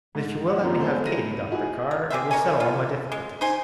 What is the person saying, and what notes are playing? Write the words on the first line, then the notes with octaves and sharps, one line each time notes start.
But if you will let me have Katy, Dr. Carr, it will settle all my difficulties.
G#2
A#1 F#5
F#2 A#2 G3 C4 F4
G#3 B3 C4 A4 C5
E4 A#6 D#7
D#4 E4 F#4 G#4 G#5
A#4
G4 G#4 C5 E5
A#4 C#5 D#5 G#5
F4
G#3
D#4 C5 G#5